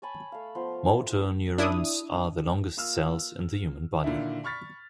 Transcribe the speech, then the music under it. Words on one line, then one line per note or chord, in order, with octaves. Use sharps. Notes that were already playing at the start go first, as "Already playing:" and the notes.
Motor neurons are the longest cells in the human body.
C#5 G#5 A5 B5
A3 F5
F3 B3 C5
E4
D4 E4 D#6
A#3 F4 E6 F6
A#2 D3 D#3 D4 E4
B5 C#6 F6 A6 B6